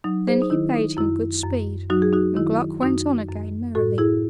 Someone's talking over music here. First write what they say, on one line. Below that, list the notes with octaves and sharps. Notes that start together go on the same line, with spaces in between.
Then he bade him good speed, and Gluck went on again merrily.
F#3 D#4
G#4 C5
D#4
D#3 E4
D#4
F#2 E4
F#2
F#3 D#4 F#4
G#4
D#4 F#4
D#3 E4
F#2 D#4 F#4
F#2
A2 F#4 A4
E4 G#4